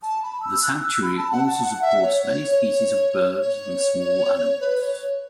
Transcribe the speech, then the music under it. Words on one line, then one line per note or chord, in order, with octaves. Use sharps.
The sanctuary also supports many species of birds and small animals.
A5
B5
E6
F#6
E6
B5
A5
F#5
A5
F#5
E5
C#5
C#5
C#5
C#5
B4
C#5